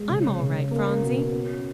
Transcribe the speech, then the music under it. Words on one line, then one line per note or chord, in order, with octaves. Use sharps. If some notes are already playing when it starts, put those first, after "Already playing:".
I'm all right, Phronsie.
Already playing: G#3
C#3
C#3
A#3
B2
C#4